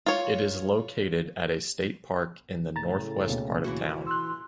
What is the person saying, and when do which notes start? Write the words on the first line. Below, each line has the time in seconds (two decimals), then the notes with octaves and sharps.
It is located at a state park in the northwest part of town.
0.06 F4 C#5
2.76 A2 C#3 A#5 A6
3.28 D2 B2 A#3
3.64 E3 E4 F#4
4.07 C6 E6 F#6